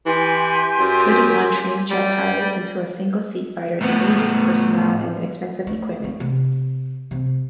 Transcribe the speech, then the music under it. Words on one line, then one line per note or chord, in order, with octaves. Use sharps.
Putting untrained jet pilots into a single-seat fighter endangered personnel and expensive equipment.
E3 G4 G#5 C6
F#2
G3
A2 B3
A3
A3
C3
C3